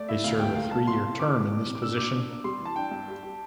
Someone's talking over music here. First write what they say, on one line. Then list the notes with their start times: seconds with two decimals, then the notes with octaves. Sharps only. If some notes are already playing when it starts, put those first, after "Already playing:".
They serve a three-year term in this position.
Already playing: A3 D5
0.09 E4 E5
0.24 D2 F5
0.40 A3 G5
0.55 A#2 F5
0.71 C2 A5
0.87 C2 C6
1.03 C2
1.19 E3 D6
1.34 F2
1.51 E3
1.67 C3
1.75 D6
1.82 D4 E6
1.97 A#3 D6
2.14 D4
2.29 A#3
2.44 G3 C6
2.60 E3
2.65 A5
2.76 D4 G5
2.91 G2
3.08 G4
3.23 G4